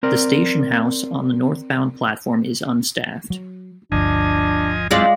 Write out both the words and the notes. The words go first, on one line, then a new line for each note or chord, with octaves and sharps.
The station house on the northbound platform is unstaffed.
C4 A#4 D5
F#3
G1 D2 G2 F3 D4 D#5 G#5
F#3 G#3 C4 E4 F4 D5